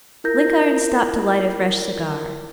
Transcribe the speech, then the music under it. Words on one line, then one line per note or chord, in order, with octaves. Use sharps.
Blenkiron stopped to light a fresh cigar.
E4 F4 A#4 G6 A#6